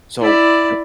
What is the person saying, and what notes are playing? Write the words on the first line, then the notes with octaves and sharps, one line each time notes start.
So the
E4 D5